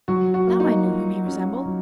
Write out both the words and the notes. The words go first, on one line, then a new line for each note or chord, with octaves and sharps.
Now I knew whom he resembled.
F#3 F#4
F#4
A#3
D#4
F4
C#4
F#3